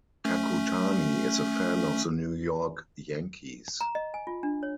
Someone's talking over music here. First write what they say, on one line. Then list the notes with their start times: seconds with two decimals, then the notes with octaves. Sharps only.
Kakutani is a fan of the New York Yankees.
0.25 A3 C#4
3.81 A#5
3.95 D#5
4.14 G#5
4.27 F4
4.43 D4
4.63 C#5